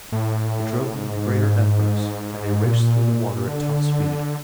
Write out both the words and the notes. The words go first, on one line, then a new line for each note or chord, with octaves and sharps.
It drove them to greater efforts, and they raced through the water at top speed.
A2
G#2
A#2
D3